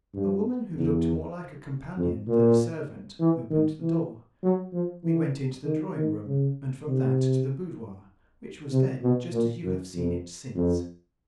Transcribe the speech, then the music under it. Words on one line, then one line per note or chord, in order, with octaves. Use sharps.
A woman who looked more like a companion than a servant opened the door. We went into the drawing-room, and from that to the boudoir, which was then just as you have seen it since.
G2
E2
F2
A#2
E3
D#3
E3
F#3
F3
E3
D#3
D#3
C#3
C3
C3
B2
A#2
F#2
F2
F2